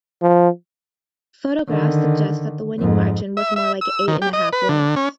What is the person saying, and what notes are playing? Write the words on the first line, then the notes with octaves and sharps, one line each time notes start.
Photographs suggest that the winning margin was more like eight and a half lengths.
F3
D3 D#3
F2 G#2
E5
E5
E6
D#3
G4
D#5
B4
D3
C#4